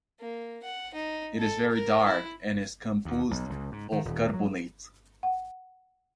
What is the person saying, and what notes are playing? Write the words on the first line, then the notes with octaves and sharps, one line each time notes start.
It is very dark and is composed of carbonates.
A#3
F#5
D#4
A4
A#4
E4
D#2
B1
C#2
G#2
D#3
D#1
F#3
F#5